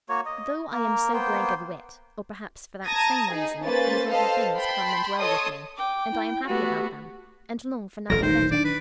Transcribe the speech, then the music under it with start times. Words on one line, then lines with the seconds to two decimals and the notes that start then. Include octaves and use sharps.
Though I am so blank of wit, or perhaps for that same reason, these little things come and dwell with me, and I am happy about them, and long for nothing better.
0.09 A#3 F#4 C#5
0.26 D#5
0.72 A#3 A#4
1.13 A#3 B3 C5 G5
2.88 A5 A#5 D#6 G#6 A#6
3.30 D#4 G#4
3.63 A#3 C#4 B4 C5 A6
4.09 A4 B4 C5 D#5 F5 A5
4.58 G5 A5 B5 C6
5.20 A4 C#5 D#5 A5 C6 D#6
5.77 G5 D6
6.11 E4
6.48 A3 B3 F#4 G4
8.10 D#1 A1 F#3 A4 A#4 A#6
8.23 D#3 D#4 C5
8.51 D4 D5
8.65 B4